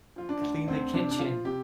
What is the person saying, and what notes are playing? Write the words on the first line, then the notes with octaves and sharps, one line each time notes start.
Clean the kitchen.
F3 F4
D4
D2
D2 C4
C3 D4
D4
F3 F4
C3 G4